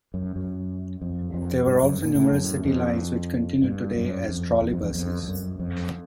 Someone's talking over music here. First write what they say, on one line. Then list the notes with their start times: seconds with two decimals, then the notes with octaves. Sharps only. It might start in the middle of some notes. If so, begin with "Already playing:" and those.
There were also numerous city lines, which continue today as trolleybuses.
0.14 F#2
0.36 F#2
1.02 F2
1.34 F2
1.67 G2
1.82 F#2
2.04 A#2
2.15 A2
2.32 F#2
2.65 F2
3.64 G2
3.96 F#2
4.29 F2
4.62 E2
4.73 F2
4.83 E2
4.95 F2
5.23 F2
5.28 F#2
5.60 F2